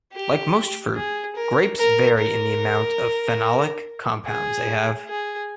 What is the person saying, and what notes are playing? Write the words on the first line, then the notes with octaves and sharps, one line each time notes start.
Like most fruit, grapes vary in the amount of phenolic compounds they have.
G4
G#4
A#4
A#4
A#4
G#4
G#4